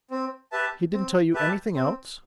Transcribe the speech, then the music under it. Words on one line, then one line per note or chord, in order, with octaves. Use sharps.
"He didn't tell you anything else?"
C4
G4 B4 E5 A5
C4
G4 B4 E5 A5
C4